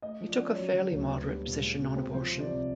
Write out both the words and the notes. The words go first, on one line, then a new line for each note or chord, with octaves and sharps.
He took a fairly moderate position on abortion.
A3 D#5
F3
D5
C#4
F#3 C#5
D3
D2
B3
G3
A#2
G#3
B2
C4
F3 C5
C3
D5
C2